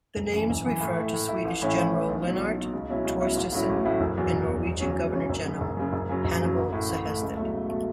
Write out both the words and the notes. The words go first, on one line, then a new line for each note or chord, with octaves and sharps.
The names refer to Swedish general Lennart Torstenson and Norwegian governor-general Hannibal Sehested.
F#1
F#2 E3
F#1
F#2 E3
A2
A3 E4
A2
A3 E4
A1
A2 E3 C#4 E4
A1
A2 E3 C#4 E4
B1
B2 F#3
B1
F#3
B2
C#2
B2 F#3 C#4 E4
C#2
B2 F#3 C#4 E4
A1
A2 F#3 C#4 E4
A1
A2 F#3 C#4 E4
F#1
E2 B2 F#3
F#1
E2 B2 F#3
E1
E2 C#3 F#3 C#4
E1
E2 C#3 F#3 C#4
F#1
F#2 C#3
F#1
F#2 C#3
F#1
F#2 C#3 F#3
F#1
F#2 C#3 F#3
A1
A2 A3 E4
A1
A2 A3 E4
C#2
B2 F#3 A3
C#2
B2 F#3 A3